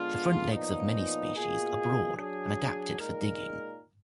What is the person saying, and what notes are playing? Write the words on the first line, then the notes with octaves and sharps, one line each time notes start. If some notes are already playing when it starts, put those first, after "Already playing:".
The front legs of many species are broad and adapted for digging.
Already playing: D3 G#3 B3 D4 F4
A#2 F3 B3 D#4
B2 A#3 F4 G#4
F#3 D4 G#4
A#2 G#3 D#4 A#4